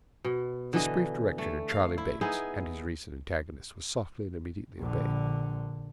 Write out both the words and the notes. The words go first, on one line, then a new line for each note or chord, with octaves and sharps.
This brief direction to Charley Bates, and his recent antagonist, was softly and immediately obeyed.
B2
D3 E3 D#5
A3
F5
E4
B3 D#4 E4 G#4
A#1 D3